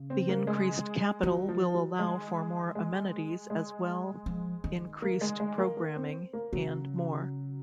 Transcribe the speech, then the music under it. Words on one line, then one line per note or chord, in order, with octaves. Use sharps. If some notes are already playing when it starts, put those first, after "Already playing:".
The increased capital will allow for more amenities as well increased programming and more.
Already playing: C#3
C4
A#3
G#3
D#3 F#3
F3
F#3
G#3
G#3
G#3
F3
D#3
A#3
G#3
G#3
A#3
A#3
C4
A#3
C#3 F#3